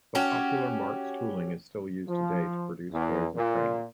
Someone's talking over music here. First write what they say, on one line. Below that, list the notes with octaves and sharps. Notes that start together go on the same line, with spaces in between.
Some popular Marx tooling is still used today to produce toys and trains.
C#4 F#4 G4
F3
E2
A#2